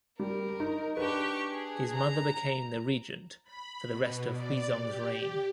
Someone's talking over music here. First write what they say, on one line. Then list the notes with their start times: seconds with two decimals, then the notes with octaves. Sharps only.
His mother became the regent for the rest of Huizong's reign.
0.20 G3 A#4
0.60 D#4
0.97 D4 G4 B4 C#6
1.52 G#4
1.94 A#5
3.44 B5
3.84 B2
4.32 D5
4.81 G4